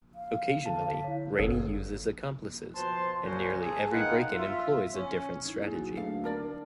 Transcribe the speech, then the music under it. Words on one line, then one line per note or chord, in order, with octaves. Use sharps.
Occasionally, Rainey uses accomplices, and nearly every break-in employs a different strategy.
F5
D3 A5
B6
E4 C#5
G1 F#2 G#4 A4 C#5 F5
B2 F3 C5 A5 C6
A#2 C#3 F3 C#4 F#4 C5
G#4 A4
B3 D#4 F4 A#4 F#5 G5
F4 E5
C#4
D#4 E4
A#3 G#4
F#3 F#4
D2 A4 F5
D4 A#4 D5